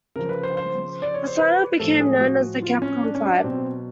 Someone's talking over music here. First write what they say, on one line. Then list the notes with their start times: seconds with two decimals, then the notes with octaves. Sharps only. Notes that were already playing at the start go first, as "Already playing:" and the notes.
This lineup became known as the Capcom Five.
0.16 C#3 F3 A#4
0.29 B4
0.43 C5
0.57 C5
1.02 D5
1.14 C#5
1.27 C5
1.39 B4
1.79 A2 F3 A4
2.00 G#4
2.21 F#4
2.62 F4
2.82 C#4
3.03 D4
3.15 C#4
3.27 D4
3.44 B2 F#3 C4